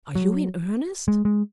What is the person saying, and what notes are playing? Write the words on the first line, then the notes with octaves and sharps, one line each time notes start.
"Are you in earnest?"
F#3
G#3
G#3